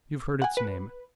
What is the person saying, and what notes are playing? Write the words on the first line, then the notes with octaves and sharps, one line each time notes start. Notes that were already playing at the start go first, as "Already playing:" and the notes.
You've heard its name.
F#5 G#5
B4